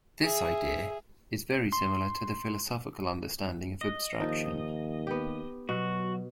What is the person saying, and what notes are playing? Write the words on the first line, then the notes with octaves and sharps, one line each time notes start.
This idea is very similar to the philosophical understanding of abstraction.
G#4 E5
C6
D#5
D#2 F3 D#4
B3 G4
B2 F#3 F#4